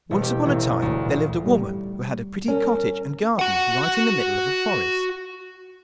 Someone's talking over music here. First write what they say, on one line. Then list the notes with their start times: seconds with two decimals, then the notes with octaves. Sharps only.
Once upon a time there lived a woman who had a pretty cottage and garden right in the middle of a forest.
0.11 E1
0.23 G4
0.45 A1
0.82 D2
1.05 A#2
1.44 C2 A2 G3
2.48 C#4 A#4
3.39 F#4 F#5